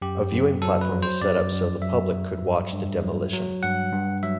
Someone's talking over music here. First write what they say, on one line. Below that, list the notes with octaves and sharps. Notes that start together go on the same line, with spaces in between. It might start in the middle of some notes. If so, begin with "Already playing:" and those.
A viewing platform was set up so the public could watch the demolition.
F#2 G4
F#2
F#3 A4
B4
F#3
C5
F#2 D5
F#2
F#3 E5
F#3
G2
G2
F#3
F#3
G2 F#5
G2
F#3 E5